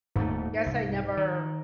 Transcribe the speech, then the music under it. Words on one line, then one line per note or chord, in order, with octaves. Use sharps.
guess I never
D#1 D#2 G#2 A3
C2
D#3